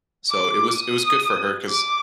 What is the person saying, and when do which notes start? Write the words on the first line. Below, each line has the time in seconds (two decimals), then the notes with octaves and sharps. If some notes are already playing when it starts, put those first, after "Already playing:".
So, it was it was good for her 'cause
0.31 D6
0.76 D#6
1.68 D6